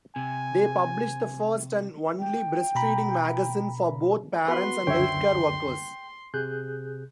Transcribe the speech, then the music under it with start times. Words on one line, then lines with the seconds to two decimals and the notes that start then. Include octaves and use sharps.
They publish the first and only breastfeeding magazine for both parents and healthcare workers.
0.16 C3 G#5
2.19 G5
2.75 B2 A#5 B5
4.48 B3 F#4 B4 C6
4.87 C#2 F#2 D3 C#5 E5 G5
6.34 C3 G#4 F#6 G6